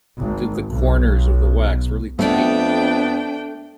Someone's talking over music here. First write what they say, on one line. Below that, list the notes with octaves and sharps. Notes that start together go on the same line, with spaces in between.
did the corners of the wax really tight,
G#1
B1
F2 A3 B3 D4 G5